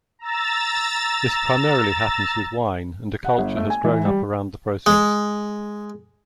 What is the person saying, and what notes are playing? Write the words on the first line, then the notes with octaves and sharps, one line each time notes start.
This primarily happens with wine and a culture has grown up around the process.
A#5 E6 A6
F#5
G1
A3
G#5
E3
G3
G#3